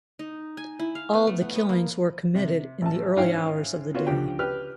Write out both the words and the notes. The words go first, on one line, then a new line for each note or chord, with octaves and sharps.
All of the killings were committed in the early hours of the day.
D#4
G#5
E4
F5
B3
A3
B3
B3
A#3
C3
A1 A5
G#2 C#4 E4 F5 G5
B3 F4 F#4 C#5
C#2 D3 F3 G4 G5
G4 B4 F6